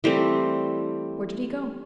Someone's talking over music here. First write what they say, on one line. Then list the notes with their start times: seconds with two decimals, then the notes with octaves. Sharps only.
Where did he go?
0.04 E3 G3 A3 C4